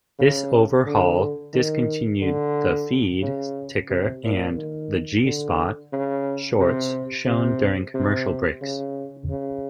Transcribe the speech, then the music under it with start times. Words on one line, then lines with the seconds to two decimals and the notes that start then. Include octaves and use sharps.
This overhaul discontinued "The Feed" ticker, and the "G-Spot" shorts shown during commercial breaks.
0.19 C#3
0.86 D3
1.54 D#3
2.22 D3
3.23 C#3
3.90 C3
4.24 A#2
4.57 D#3
5.25 D3
5.93 C#3
6.60 C3
7.27 C3
7.94 C3
8.62 C#3
9.30 C#3